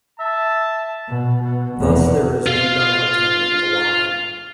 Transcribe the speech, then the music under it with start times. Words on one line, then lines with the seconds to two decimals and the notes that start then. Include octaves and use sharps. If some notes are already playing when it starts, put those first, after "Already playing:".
Thus there is no dial tone on the line.
0.20 E5 A5
1.08 B2
1.43 B2
1.77 F1 E2
2.47 F4 F5